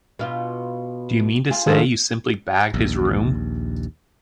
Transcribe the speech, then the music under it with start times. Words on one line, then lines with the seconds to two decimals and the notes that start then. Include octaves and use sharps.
Do you mean to say you simply bagged his room?
0.19 B2 F4
1.50 F4 G#4
1.66 D2 D#3 F3 F#4 G#4 A4
2.74 A#1 D#2